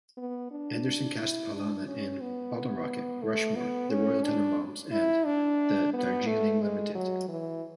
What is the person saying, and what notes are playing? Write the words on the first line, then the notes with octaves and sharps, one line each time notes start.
Anderson cast Pallana in "Bottle Rocket", "Rushmore", "The Royal Tenenbaums", and "The Darjeeling Limited".
B3
D4
E4
D4
C#4
B3
A3
B3
C#4
D4
E4
D4
B3
A3
G#3
F#3
E3